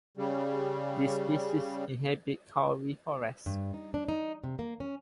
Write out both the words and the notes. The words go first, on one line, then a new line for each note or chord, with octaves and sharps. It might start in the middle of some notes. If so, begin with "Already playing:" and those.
This species inhabits kauri forests.
C#3 G3
G2
D#4
D4
D#4
C3
A#3
C#4